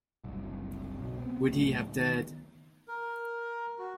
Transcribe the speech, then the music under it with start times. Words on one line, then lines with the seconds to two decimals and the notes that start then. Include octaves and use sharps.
Would he have dared?
0.24 F#1 C2
0.99 B1
1.17 B3 C4
1.49 C#2 A2 F#3 A3
1.96 D#3 B3
2.88 A#4
3.78 F#4